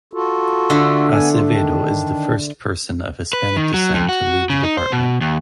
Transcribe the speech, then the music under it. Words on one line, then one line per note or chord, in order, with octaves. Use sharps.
Acevedo is the first person of Hispanic descent to lead the department.
F4 F#4 A4
D3 A3
B3 G#5
F3 A#3 F4
D#3 D4
B4
D#3
F#3
F2
F#4
C#3
D#4
C5
B2
D#2